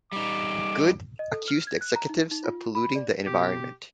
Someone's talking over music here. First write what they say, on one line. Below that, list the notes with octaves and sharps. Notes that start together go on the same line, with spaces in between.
Good accused the executives of polluting the environment.
G3 D#4 D6
D#5
A4
F6
G#6
F#6
A#5
D#4
D#4
F4
B5
D5
B2 G4